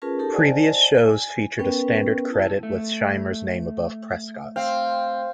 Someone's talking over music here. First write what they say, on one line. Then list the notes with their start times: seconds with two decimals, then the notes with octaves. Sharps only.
Previous shows featured a standard credit with Scheimer's name above Prescott's.
0.02 C#4 F4 G#4 A#4 B4 A5
0.19 D#4 G4 A4 A#4 A5
0.32 C5 D5 D#5 F#5 G#5 A5
1.05 G#5
1.59 B3 C#4 A#4 B4 G5
2.30 E4 A5
2.63 A3
4.56 C4 F5